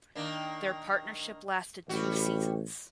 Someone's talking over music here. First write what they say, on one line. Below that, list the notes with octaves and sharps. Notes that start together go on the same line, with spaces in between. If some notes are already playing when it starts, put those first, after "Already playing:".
Their partnership lasted two seasons.
D#3 A#3 D4
A1 G3 F#4